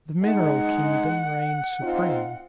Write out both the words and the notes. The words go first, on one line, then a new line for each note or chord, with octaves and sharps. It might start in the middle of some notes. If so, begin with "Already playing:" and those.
The mineral kingdom reigned supreme.
G#3 D#4 F#5
C4 D#4 F4